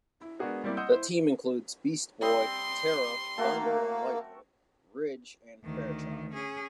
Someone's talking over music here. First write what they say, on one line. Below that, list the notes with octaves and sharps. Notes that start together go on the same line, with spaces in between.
The team includes Beast Boy, Terra, Thunder and Lightning, Ridge and Fairchild.
E4
G#3 B3 D4 F#4 G#4 A#4
G3 A#3 C4 E4 D5
D#5 F#5 C6 D#6 E6 G6
E4 C5
G3 C4 C6 D#6
A3 A#3 F#4 A#4
D2 D#3
C#4 G#4